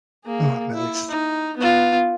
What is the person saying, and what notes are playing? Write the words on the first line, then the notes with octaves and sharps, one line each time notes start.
Oh, nice.
A#3 G#4
E4
D#4
B3 F4